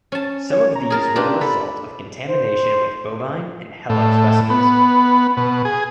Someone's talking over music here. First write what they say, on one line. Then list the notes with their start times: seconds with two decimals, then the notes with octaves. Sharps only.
Some of these were the result of contamination with bovine and HeLa specimens.
0.12 C#4 A5
0.52 C#5
0.76 A#5
0.90 G#4 A#4 A5
1.16 D4 F4 G4
1.41 A4 B5
2.28 C5
3.90 A2
4.50 B3
5.37 B2
5.65 G#4